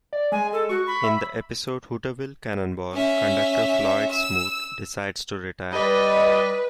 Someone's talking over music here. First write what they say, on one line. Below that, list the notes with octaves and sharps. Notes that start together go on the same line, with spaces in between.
In the episode, "Hooterville Cannonball" conductor Floyd Smoot decides to retire.
D5
G#3 G#5
A4
F#4 C#6
B5
E5
C#4 E5
E6
G3 B4 D5 D#5